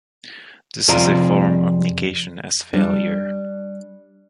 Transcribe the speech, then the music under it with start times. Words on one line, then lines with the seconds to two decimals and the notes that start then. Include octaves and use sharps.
This is a form of negation as failure.
0.88 F2 C3 F4 G#4 D5 A#5
2.73 G3 D4